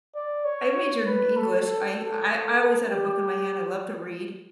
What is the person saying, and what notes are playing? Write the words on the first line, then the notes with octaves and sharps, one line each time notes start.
I majored in English, I I I always had a book in my hand, I love to read.
D5
C#5
B4
A4
A4
A4
G4